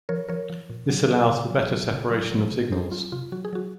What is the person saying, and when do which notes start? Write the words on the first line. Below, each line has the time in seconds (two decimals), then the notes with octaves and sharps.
This allows for better separation of signals.
0.09 F3 A#4 C#5
0.28 F3 A#4 C#5
0.50 F3
0.70 A#2
0.90 F#3
1.10 F#3
1.30 C#3
1.50 F#3
1.70 F#3
1.91 C#3
2.11 F#3
2.32 F#3
2.52 C3
2.72 F#3 G#4 C5
2.91 F#3 F4
3.12 C3 F4
3.32 F#3 F#4
3.45 G#4
3.53 F#3 F#4